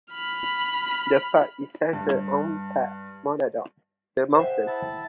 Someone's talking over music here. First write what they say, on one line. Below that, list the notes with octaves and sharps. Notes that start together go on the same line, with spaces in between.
The park is centered on Pack Monadnock, the mountain.
B5 F6
G2
G#4 C5 E5 F#5 G5
E4 A5